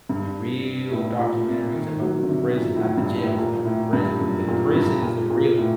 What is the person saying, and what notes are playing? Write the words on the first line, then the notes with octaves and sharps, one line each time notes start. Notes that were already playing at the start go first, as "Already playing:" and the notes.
real documentaries about the prison not the jails, it's about the prisons because prison is the real
G2
A2
A#2
C3
D#3
F#3
D3
C3
A#2
A2
G2
A2
A#2
A2
G2
F#2
A#2
G2
A#2
A#2
A2